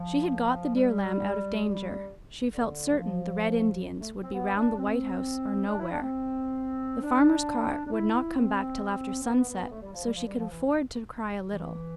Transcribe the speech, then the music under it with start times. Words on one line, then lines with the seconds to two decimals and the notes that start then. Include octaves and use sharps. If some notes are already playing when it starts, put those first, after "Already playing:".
She had got the dear Lamb out of danger - she felt certain the Red Indians would be round the White House or nowhere - the farmer's cart would not come back till after sunset, so she could afford to cry a little.
Already playing: F3
0.75 G3
1.65 G3
2.54 D3
2.91 G3
2.99 F3
3.99 A3
4.22 C4
4.33 B3
4.56 D4
4.78 C4
5.67 D4
5.79 E4
5.90 D4
6.01 C4
7.02 D4
7.86 D4
7.92 E4
8.37 C4
9.21 C4
9.26 B3
9.49 B3
9.71 A3
9.82 G3
9.93 F3
10.04 G3
10.15 F3
10.27 G3
10.38 F3
10.49 E3
11.51 E3